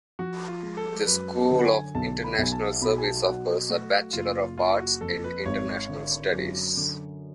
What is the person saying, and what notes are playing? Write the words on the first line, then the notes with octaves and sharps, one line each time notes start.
The School of International Service offers a Bachelor of Arts in International Studies.
F3 F#4
F4
G#3
A4
F#2 B4
D3
F#5
G#5
B1 A5
B5
B1
G#5
A5
B2 B5
G#5
A5
F#3 F#5
A3 F#4
F#1 F4
F#1 F4
F#4
F2 A4
B4
G#1 C#5
D3
F#2
D3